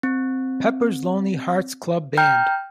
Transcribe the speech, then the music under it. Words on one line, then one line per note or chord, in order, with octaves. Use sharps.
Pepper's Lonely Hearts Club Band'.
C4
G5 A#5 F6 G6